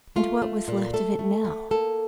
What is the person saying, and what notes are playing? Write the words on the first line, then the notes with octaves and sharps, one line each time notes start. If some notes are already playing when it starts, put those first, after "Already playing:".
And what was left of it now?
A3 F4
A3
A#2
A3 A4
A3
A3
A#3 A4